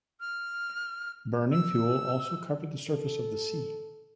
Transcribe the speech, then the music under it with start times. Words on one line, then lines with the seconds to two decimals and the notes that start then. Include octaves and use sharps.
Burning fuel also covered the surface of the sea.
0.20 F6
1.52 E6
2.89 A4